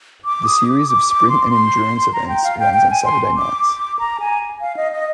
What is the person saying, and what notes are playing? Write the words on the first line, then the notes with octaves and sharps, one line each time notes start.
The series of sprint and endurance events runs on Saturday nights.
D6
D#6
D6
D6
D6
C6
C6
A#5
G5
F5
G5
G5
G#5
C6
D6
A#5
G#5
F5
D#5
D#5